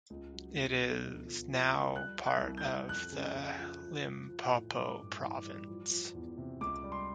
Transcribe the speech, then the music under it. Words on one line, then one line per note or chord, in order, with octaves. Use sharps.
It is now part of the Limpopo province.
C#2
F#3
C#2
B2
D2
F3
F3
F3
G3 F#6
G3
F#6
C2
G6
C2
F2 F#6
C#3
F2
F3
F3
F3
F3
A2
G3 D6
G2
E3
G3
F3
F3
E2
C3
C#2 D6
G3
C6